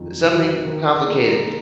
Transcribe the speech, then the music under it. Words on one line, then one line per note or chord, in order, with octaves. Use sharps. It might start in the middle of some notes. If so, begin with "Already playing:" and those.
something complicated,
Already playing: F2 D#3
D#3 F#3
D#3
A#3 D#4 G#4